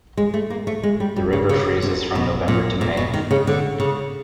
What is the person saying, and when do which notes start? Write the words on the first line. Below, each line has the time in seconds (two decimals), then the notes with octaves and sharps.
The river freezes from November to May.
0.17 G#3
0.34 A3
0.50 A#3
0.67 A3
0.83 G#3
1.00 G3
1.16 G3
1.33 C#3
1.49 C#3
1.82 C3
2.15 B2
2.48 A#2
2.81 A#2
2.97 B2
3.14 D#3
3.31 C#3
3.47 D3
3.80 C#3